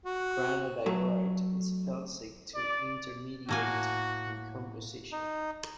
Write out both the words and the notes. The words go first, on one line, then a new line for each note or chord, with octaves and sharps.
Granodiorite is felsic to intermediate in composition.
F#4
F#3 A3
D5
A2 A#3 F#4 G#5
D#4